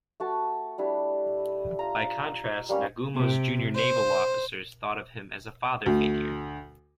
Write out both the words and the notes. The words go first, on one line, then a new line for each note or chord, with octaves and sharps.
By contrast, Nagumo's junior naval officers thought of him as a father figure.
A3 F#4 A5
G3 D4 E4
F4 A#5
G3 A#3 C#4 F5
C3
C5
D2